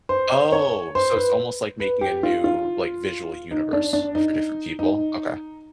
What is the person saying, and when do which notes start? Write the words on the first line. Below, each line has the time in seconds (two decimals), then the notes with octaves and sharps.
Oh, so, it's almost like making a new, like, visual universe for different people? Okay.
0.09 C5
0.52 C#5
0.95 C5
1.16 B4
1.80 B4
2.01 G4
2.23 F4
2.44 F4
3.51 D#4
3.73 D4
3.93 D4
4.15 D#4
4.79 D#4